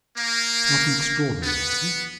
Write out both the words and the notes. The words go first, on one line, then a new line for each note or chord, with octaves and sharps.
Not an extraordinary accident.
A#3
B3